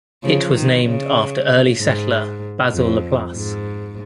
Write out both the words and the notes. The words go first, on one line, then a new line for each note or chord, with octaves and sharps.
It was named after early settler Basile Laplace.
C#3 F3
D#3
C#3
G#2
F2
G#2